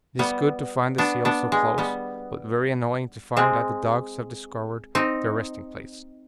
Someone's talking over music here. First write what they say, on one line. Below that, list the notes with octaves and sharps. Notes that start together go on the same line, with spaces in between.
It is good to find the seals so close, but very annoying to find that the dogs have discovered their resting-place.
G3 B3
B3 D4
B3 D4
G#3
G3 B3
G#3 C4
C4 D#4